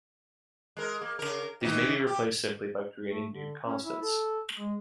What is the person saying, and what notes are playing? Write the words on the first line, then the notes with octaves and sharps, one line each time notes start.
These may be replaced simply by creating new constants.
G#3 A#4
A#3
C#3 A#4
D#3 E3 D#4
G4
A3
D3
C#4
E4
A4
G#3